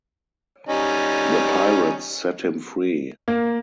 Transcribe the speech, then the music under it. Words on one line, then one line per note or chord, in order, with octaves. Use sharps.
The pirates set him free.
G3 C#4 D#4
A#3